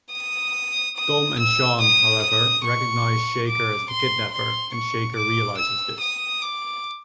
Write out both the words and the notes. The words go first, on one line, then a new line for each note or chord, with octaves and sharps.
Tom and Sean, however, recognize Shaker as the kidnapper, and Shaker realizes this.
D#6
D#6
E6
D#6
D#6
C#6
D6
C6
C6
C#6
D6
E6
D#6
D6